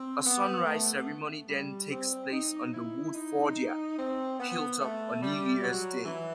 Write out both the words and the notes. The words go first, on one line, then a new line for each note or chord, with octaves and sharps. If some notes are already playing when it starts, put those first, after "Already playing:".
A Sunrise Ceremony then takes place on the Woodfordia hilltop on New Year's Day.
Already playing: C4
B3
A3
G3
C4
D#4
E4
D#4
C4
B3
A3
G3
F#3
E3